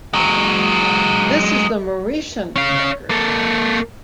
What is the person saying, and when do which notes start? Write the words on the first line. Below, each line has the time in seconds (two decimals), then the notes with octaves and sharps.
This is the Mauritian record.
0.14 F#3 G#3
2.56 C#4 F5
3.10 A#3 A4